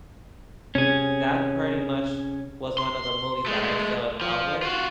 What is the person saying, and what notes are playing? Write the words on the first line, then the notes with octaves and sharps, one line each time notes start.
That pretty much was one of the movies that I fell in love with,
C3 C#4 G#4
C6
G#3 A3
F3
F4 F#4